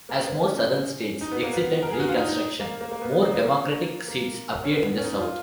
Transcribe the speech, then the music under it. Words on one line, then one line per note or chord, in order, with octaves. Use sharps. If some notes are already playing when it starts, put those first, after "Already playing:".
As more Southern states exited Reconstruction, more Democratic seats appeared in the South.
A#3
B3
C#4
D#4
B3
A#3
B3
A#4
G#4
F#4
F4
D#4
D#4
A#3
A#3
A#3
B3
B3
A#3
B3
A#3
A#3
C#4
B3
C#4
D#4
F4